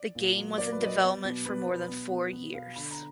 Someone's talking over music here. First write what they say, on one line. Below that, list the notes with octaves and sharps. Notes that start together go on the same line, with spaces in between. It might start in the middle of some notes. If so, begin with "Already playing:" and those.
The game was in development for more than four years.
Already playing: D5
A#2
F#3
A#3 D5
B4
F#3 D#5
D5
B3
B2
B3 B4
B2
B3
B3
B3
B2 F5
D3 B5
A#5